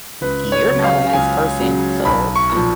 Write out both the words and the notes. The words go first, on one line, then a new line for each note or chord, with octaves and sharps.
you're not a nice person, so I
C#2 B4
C#5
C#3 F#3
F5
C#2 G#5
C#3 F#3
B1 B5
C#6
A#2 F3